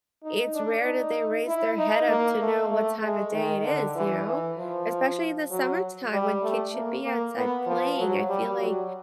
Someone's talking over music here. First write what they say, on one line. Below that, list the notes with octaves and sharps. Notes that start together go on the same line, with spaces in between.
it's rare that they raise their head up to know what time of day it is, you know? Especially in the summertime when kids should be outside playing, I feel like
D#4
D4
D#4
E4
D#4
A#3
A3
A3
G#3
D#3
D3
E3
E3
F3
F#3
G3
A3
A#3
A#3
B3
F3
F#3
G3
F#3